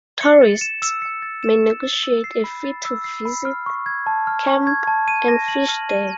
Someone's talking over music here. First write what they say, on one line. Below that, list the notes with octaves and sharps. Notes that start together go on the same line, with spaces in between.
Tourists may negotiate a fee to visit, camp, and fish there.
C#7
A6
E7
E6
C#7
A6
E7
E6
A6
E6
C7
B5
A6
E6
C7
B5
F6
C#6
G#6
A5
F6
C#6
G#6
A5
D#7
A#6
F#7
F6
D#7